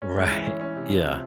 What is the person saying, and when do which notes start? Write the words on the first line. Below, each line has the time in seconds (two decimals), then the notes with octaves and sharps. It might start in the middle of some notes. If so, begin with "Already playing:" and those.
Right. Yeah.
0.02 C#4
0.17 G#3
0.31 E3
0.46 C#4
0.61 C#4
0.76 C3
0.90 F3
1.05 C3